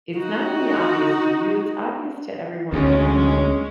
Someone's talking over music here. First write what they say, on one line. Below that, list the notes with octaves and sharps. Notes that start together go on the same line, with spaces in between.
it's not only obvious to you, it's obvious to everyone around
D#4 F#4
D2 G#3 C#4